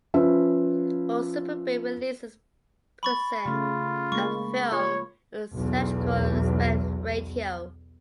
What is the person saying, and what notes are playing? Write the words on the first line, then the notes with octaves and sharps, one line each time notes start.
All Superbit releases present a film in its theatrical aspect ratio.
F3 C#4 B4 E5
B5 C#6 A6
C#3 A3 F4
G#3 A#3 C#6
F4 C#5
B1 E2